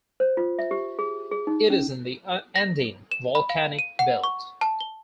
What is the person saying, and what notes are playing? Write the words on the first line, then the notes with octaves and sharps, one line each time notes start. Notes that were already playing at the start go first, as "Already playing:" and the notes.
It is in the Andean Volcanic Belt.
C5
F4
E5
G4
G#4
G#4
D#4
C#4
A#6
E7
B5
F5
D#7
F#5
C#6
A5
G7